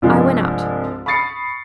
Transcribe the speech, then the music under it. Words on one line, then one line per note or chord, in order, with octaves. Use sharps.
I went out.
C2 G2 F3 G#3
B5 C#6 D#6 A6 C7 C#7